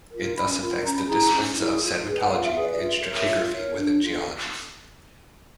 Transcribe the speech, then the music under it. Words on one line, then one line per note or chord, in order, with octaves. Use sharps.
It thus affects the disciplines of sedimentology and stratigraphy within geology.
F4 A#4
C#4 B5
F4 A#4
C#4 A#5
B5
E4 G#4 A#5
C#4
E4 G#4
F4
G#4 B4
F#5
F4 F5
E5
G#4 B4
D5
F4 E5
A#4 C#5
F4
A#4 C#5
D4
F4 A4